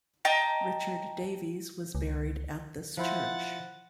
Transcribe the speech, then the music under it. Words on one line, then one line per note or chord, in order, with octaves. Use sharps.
Richard Davies was buried at this church.
D#5 G5 A5 A#5
C#2
F3 E4 C5 F#5 A6